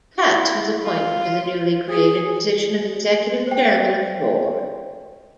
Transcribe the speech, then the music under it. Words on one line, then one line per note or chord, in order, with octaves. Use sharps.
Katz was appointed to the newly created position of executive chairman of the board.
E4
F4
G#4
C5 G5